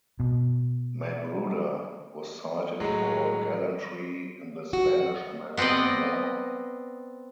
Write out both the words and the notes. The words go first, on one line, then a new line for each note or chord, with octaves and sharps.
Magruder was cited for gallantry in the Spanish–American War.
B2
A2 F#3 G#3
F#4
B3 C4 B4 D5 D#5